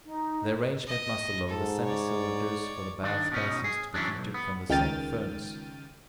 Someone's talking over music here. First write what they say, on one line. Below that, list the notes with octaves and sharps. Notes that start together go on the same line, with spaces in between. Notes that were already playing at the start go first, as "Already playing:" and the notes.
The arrangement must allow the semi-cylinders for the bath basins to be heated from the same furnace.
D#4
D#5
G#2 A4
C#5 D5
D#3 D4
B2 C#4 D#4
G#4
E3 F#3 C#4 D4
B1
B3
C#2 D#3 G5 F6 A6 D#7